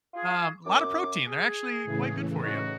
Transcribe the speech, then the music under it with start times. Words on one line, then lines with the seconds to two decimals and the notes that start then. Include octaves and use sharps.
um, a lotta of protein, they're actually quite good for you.
0.14 F4 G#4
0.64 F#2 D6
1.28 G#4
1.84 A2 C#3 E3
2.43 C#4 D#4 F#4